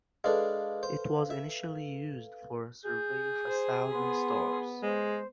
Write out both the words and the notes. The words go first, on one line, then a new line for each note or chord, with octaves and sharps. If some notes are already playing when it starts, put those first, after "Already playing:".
It was initially used for a survey of a thousand stars.
G#3 D4 A4 B4 F5
C5
E5
G#4 G6
C5
B3 C6
G#3 C5